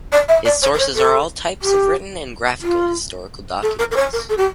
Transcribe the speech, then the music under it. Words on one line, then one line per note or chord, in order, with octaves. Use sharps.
His sources are all types of written and graphical historical documents.
D5
E5
D5
C#5
A#4
C#5
A4
G4
F4
A4
A#4
A#4
C#5
A#4
A4
G4